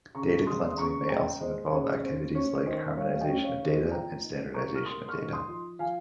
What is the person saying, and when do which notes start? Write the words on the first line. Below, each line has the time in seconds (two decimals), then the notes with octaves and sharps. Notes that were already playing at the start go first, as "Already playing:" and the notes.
Data cleansing may also involve activities like, harmonization of data, and standardization of data.
0.15 C#3 A#5 C#6
0.46 G#3 C6 D#6
0.71 D#6
0.77 C#3 A#5 C#6
1.09 G#3 G5 A#5
1.41 G#3 C5 D#5
1.71 C#3 C#5
2.04 C#4 C5
2.35 C#4 C#5
2.66 D#3 C5 D#5
2.97 G3 C#5 F5
3.16 F5
3.20 D#5 G5
3.29 C#4
3.44 C#5 F5
3.60 D#3
3.67 C5 D#5
3.91 F3 G5 A#5
4.23 D#4
4.54 A#3 A#5 C#6
4.75 F6
4.85 A#3 C6 D#6
5.08 C#6 F6
5.16 D#4
5.33 C6 D#6
5.48 F3
5.79 F3 F5 G#5